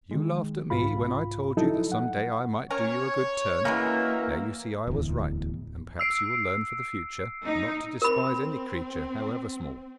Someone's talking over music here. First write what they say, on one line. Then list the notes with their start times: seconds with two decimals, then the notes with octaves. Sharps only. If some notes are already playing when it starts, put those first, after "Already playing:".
'You laughed at me when I told you that some day I might do you a good turn. Now you see I was right, and perhaps you will learn for the future not to despise any creature, however small.'
0.11 D#3 G#3
0.70 C2 G#2 F4 B5
1.57 F3 F#3 D#4 E4 A4
1.92 F#5
2.70 C#4 A#4 C#5
3.65 C#3 E3 F#3 G#3 A#3 F#4 A#4 E5
4.87 D1 E2
5.99 E6 C7 D7
7.45 D#4
8.02 C4 A#4 B5